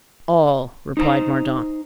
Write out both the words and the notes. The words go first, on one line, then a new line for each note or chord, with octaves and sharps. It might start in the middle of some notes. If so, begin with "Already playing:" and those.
"All," replied Mordaunt.
D#4 C5 A#5